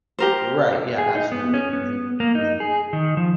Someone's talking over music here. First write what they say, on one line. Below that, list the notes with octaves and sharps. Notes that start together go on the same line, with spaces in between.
Right, yeah, absolutely, mhm. Mhm.
G4 A#4 C5
G#4
D#4
B3
C#4
B3
A#3
D#4
G#4
D#3
F3